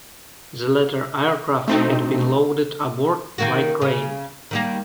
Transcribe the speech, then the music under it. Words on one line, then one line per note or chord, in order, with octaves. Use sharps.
The latter aircraft had been loaded aboard by crane.
B2 A3 C4 D4 D#4 F#4
D#3 A#3 F#4
C#3
D#3 G3 A#3